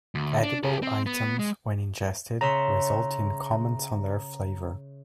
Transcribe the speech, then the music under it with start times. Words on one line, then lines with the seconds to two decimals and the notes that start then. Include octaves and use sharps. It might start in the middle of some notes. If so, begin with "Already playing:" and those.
Edible items, when ingested, result in comments on their flavor.
0.15 D2
0.43 D4
0.63 G4 A4
0.82 C4
1.06 B3
1.39 G#3
2.41 C#3 E5 A#5 C6